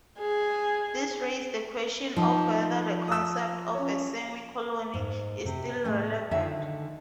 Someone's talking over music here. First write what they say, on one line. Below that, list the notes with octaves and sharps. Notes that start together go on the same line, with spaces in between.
This raised the question of whether the concept of a "semi-colony" is still relevant.
G#4
F3 D#4
D#6 E6
C#4 C#5
G#2
C3
A2 A3 G#5
D3 D#3 E5 G#5